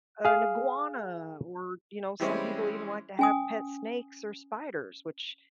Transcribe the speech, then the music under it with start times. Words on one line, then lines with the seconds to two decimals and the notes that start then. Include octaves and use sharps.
an iguana, or you know, some people even like to have pet snakes or spiders, which
0.25 G#4 F5
2.20 E3 G3 G#3 C4 C#4 E4
3.19 C#4 G#5 D#6